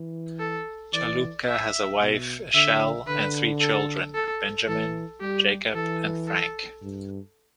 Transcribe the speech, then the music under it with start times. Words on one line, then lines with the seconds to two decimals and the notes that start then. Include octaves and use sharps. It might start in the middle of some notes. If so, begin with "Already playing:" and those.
Chaloupka has a wife Eshell, and three children; Benjamin, Jacob, and Frank.
Already playing: E3
0.39 A4
0.93 E3 D5
1.48 E5
2.00 B2
2.54 D3 E5
3.07 D3 B4
3.61 A4
4.14 A4
4.68 E3 A4
5.21 G3 G4
5.75 E3 A4
6.28 A4
6.82 G2